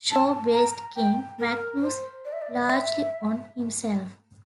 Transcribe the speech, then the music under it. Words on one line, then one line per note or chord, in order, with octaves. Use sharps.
Shaw based King Magnus largely on himself.
A5
A#5
G5
A#4
C5
D5
E5
D5
E5